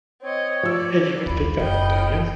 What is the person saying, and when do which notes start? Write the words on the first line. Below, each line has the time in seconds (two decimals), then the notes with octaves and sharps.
Yeah, you wouldn't think that, but, uh, yeah.
0.22 C4 C#5 D#5
0.63 F3 B4 D5 E6
1.26 D#2 F4 B5
1.59 F#1 D#5 G5